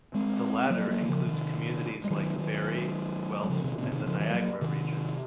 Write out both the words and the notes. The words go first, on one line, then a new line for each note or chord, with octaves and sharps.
The latter includes communities like Barrie, Guelph and the Niagara Region.
G#3 C4
F#3 A#3
F#3 A#3
D#3
C#3 F3
C3 D#3
G#3
D#3 F#3
D#3 F#3
F#3
C#3 F3
C3 D#3
A#2 C#3
C3 D#3
C#3 F3
D#3 F#3
F#3 A#3
C3 D#3